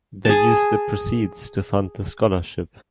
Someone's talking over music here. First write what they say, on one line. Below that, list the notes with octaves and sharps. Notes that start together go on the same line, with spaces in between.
They used the proceeds to fund the scholarship.
G#4 A5